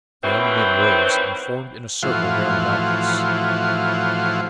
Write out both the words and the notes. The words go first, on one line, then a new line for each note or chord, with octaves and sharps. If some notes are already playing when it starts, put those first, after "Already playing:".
The young men rose and formed in a circle round Malchus.
B2 D#3 E3 F#3 A3 C4
A2 E3 F3 F#4 C5 F5